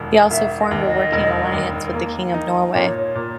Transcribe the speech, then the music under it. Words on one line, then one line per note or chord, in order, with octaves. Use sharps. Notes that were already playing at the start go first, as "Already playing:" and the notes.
He also formed a working alliance with the king of Norway.
Already playing: E1 D#2
E1 E5
D#5
D#2
D#5
E1
D#2
A#3
D#4
A#2 C#5
A#2